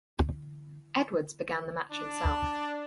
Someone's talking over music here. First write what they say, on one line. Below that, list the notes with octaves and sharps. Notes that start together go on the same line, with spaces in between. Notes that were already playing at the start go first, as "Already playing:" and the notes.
Edwards began the match himself.
D4